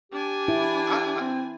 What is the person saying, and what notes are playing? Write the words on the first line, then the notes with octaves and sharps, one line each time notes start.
I I
D4 G4 G#5
E4
C4